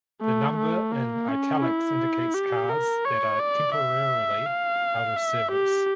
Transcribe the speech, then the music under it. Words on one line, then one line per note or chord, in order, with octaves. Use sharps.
The number in "Italics" indicates cars that are temporarily out of service.
A3
A3
A#3
C#4
E4
G4
A#4
C#5
D5
E5
F5
E5
G4